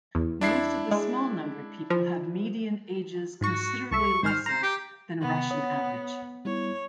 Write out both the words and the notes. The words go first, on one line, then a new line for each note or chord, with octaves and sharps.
Most of the small numbered people have median ages considerably lesser than Russian average.
E2
D4 E4 C7
G#3
F3
G#2 F#4 C#6
C2 A4 E5 C#6
G#1 D#3 C5 F6
C5 A#5
G4
C3 D#3 B3
C#5 F#5 D#6
G3 B3 E4 C#5